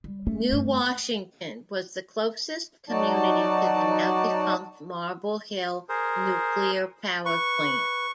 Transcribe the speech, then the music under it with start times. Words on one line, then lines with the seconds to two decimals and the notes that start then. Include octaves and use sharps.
New Washington was the closest community to the now-defunct Marble Hill Nuclear Power Plant.
0.04 G3
0.27 A3 C#4
0.52 G2 G3
2.89 F#3 D#4 F#4 D5 A5
5.89 G#4 A#4 C5
7.25 B4 C#6